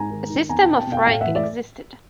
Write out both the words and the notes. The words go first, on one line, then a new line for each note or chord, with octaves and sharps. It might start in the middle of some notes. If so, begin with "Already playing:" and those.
A system of rank existed.
Already playing: G#2 G#5 A#5
D#3
D#3
E2 G#5 A#5
B2 G5 A5
G5 A5
B2
F5 G5
A2 F5 G5
E5 F#5
E3
D5 E5